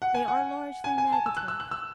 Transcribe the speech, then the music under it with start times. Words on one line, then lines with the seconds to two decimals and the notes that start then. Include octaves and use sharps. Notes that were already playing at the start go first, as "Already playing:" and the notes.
They are largely negative.
0.02 F#5
0.15 G#5
0.28 F#5
0.84 G#5
0.98 G#5
1.12 A5
1.26 E6
1.37 F#6
1.48 E6
1.60 F#6
1.71 E6